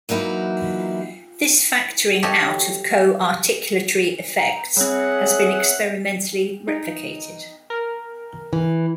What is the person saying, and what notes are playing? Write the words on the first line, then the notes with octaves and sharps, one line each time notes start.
This factoring out of coarticulatory effects has been experimentally replicated.
E3 F#3 A#3 D#4 E4 F#4
F#4 G4 A4 C#5 D#5
A#5
G3 C4 G#4 C#5 E5 F#5
D#4
A#4
E3